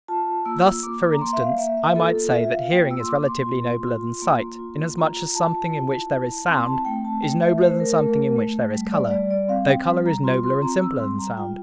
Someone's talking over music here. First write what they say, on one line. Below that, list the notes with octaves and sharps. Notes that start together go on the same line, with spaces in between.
Thus, for instance, I might say that hearing is relatively nobler than sight, inasmuch as something in which there is sound is nobler than something in which there is color, though color is nobler and simpler than sound.
F4 A5
A#3 E6
A#3 D6
A#5
A#3 C6
E5
F5
A#3 E5
E5
F4 A4
A4
F4 E5
E5
F5
A#3 G5
E6
C6
A#3 D6
C6
F4
F4
A#3
F4
F4 A#5
F4 A5
E4
E4
C4 C6
A5
A3 G5
A5
A3 G5
E5
A3 C5
A#4
A3 A#4
A3
G3
D5
G3 D5
D5
C4 F5
G5
G3
A#5
F4 C6
C6
C4 A#5
E6
G3 C6
A#5
F4 G5